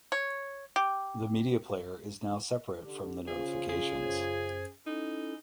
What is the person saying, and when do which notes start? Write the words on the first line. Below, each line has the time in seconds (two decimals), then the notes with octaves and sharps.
The media player is now separate from the notifications.
0.12 C#5
0.76 G4
2.84 D3 G4
3.27 C#3 C#4 F4 G#4 C5
3.69 G#4
4.02 F#2 C5 G#6
4.87 C#4 D#4 E4 A4